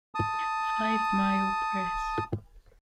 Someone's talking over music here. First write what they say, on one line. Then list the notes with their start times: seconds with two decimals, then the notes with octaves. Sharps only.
Five Mile Press.
0.15 A5 D#6